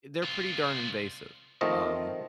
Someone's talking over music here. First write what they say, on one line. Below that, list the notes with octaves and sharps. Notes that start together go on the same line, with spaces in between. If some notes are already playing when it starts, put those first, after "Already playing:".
they're pretty darn invasive. Um,
C2 F4
D#3 F3 A3 C4 F4 D#5